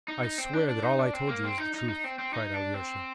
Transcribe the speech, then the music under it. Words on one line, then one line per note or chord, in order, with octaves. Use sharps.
"I swear that all I told you is the truth," cried Alyosha.
D#4
D#4
C4
D4
D4
D#4
D4
C4
A#3
C4
D#4
D#4
D#4
C4
C4
D#4
D4
C4